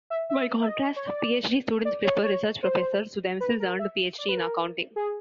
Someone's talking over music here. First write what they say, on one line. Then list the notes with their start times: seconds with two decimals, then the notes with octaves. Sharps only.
By contrast, PhD students prefer research professors who themselves earned a PhD in accounting.
0.10 E5
0.30 E5
0.61 E5
0.68 D#5
0.96 C#5
1.07 D5
1.85 D5
2.04 C#5
2.24 C#5
2.63 C5
3.40 B4
3.60 A#4
3.79 E5
4.18 D5
4.29 B4
4.37 A#4
4.96 G#4